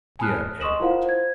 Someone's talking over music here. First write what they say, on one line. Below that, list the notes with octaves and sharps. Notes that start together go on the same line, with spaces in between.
"Dear Edward!"
G#5 A5 B5 D#6 F6 F#6
D#5 C6 C#6 D#6 E7 F#7
E4 F4 A#4 C5 F5 F#5
C5 G#6